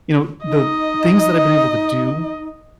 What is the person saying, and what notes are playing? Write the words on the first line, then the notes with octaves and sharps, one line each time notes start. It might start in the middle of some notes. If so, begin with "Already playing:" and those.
you know, the things that I've been able to do,
D#4 D#5